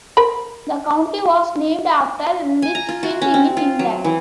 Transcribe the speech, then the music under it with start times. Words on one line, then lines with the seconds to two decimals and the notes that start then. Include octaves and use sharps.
The county was named after Lichfield, in England.
0.17 A#4 C5 B5
2.62 G#5
2.75 A#5
2.89 F4
3.03 F#4
3.22 C#4
3.34 C4
3.57 F4
3.79 F#3
4.04 E3